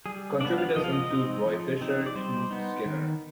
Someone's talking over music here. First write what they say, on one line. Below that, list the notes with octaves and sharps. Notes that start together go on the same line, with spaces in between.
Contributors included Roy Fisher, Knute Skinner.
G3 G#4
B3 D4 D5
F5
F3 D#5
F5
D#5
C4 D#4
F3
C4 D#4
D5
G3 C5
B3 D#4
D#3